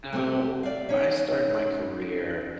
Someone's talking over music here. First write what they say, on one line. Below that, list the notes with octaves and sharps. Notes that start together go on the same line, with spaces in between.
So, I started my career
A3 C4 G4
D5 E5 F5
C#4 D#4 C#5